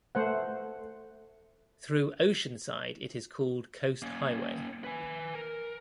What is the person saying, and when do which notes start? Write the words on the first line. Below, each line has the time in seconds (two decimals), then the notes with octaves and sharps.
Through Oceanside it is called Coast Highway.
0.15 A3 C5 F#5
4.02 A#3 C#4
4.84 B4 G#5
5.35 A#4